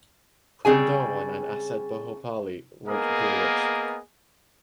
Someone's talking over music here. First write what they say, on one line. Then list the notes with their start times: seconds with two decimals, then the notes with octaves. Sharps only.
Prem Dhawan and Asad Bhopali wrote the lyrics.
0.65 C#3 G3 C4 G#4 G#5
2.88 A#3 B3 G#4 A#4 D#5